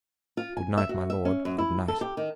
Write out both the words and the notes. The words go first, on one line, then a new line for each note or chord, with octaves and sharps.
Good night, my lord, good night.
F4
G#5
E5
F#4
E5
C#4
F#2
E4
A4
G4
D#3